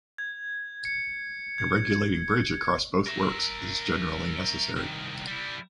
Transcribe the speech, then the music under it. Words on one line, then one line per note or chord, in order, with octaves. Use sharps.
A regulating bridge across both works is generally necessary.
G#6
C#7
G#6
A#4 E5
C2 D#3
G3 E4